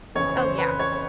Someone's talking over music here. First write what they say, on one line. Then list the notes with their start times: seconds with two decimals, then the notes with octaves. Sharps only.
Oh, yeah.
0.15 F2 C#3 E3 C#5
0.37 C5
0.58 B4
0.79 C#5